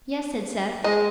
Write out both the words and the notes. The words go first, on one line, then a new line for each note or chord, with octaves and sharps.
"Yes," said Seth.
G#3 D#5